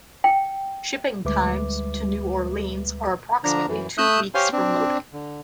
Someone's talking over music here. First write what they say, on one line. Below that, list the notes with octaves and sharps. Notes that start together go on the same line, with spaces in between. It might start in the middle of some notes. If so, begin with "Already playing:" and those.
Shipping times to New Orleans are approximately two weeks from loading.
G5
D2 G3 G#3 B4 E5 D6
D3 F3 D4 A#5
F#2 E3
A3 E5 D#6 E6 F#6 G6
G4 C5 C#5 F5 G#5 C6
C4 D4
D3